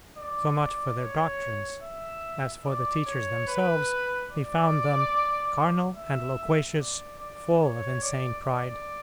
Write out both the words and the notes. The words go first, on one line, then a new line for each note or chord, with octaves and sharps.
So much for their doctrines; as for the teachers themselves, he found them "carnal and loquacious, full of insane pride."
D5
D5
C#5
E5
D5
C#5
B4
D5
E5
D5
D5
C#5
D5
D5